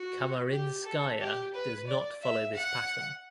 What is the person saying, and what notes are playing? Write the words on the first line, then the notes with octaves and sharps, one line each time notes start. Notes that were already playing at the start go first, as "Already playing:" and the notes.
"Kamarinskaya" does not follow this pattern.
Already playing: F#4
G4
A4
G4
B4
D5
E5
F#5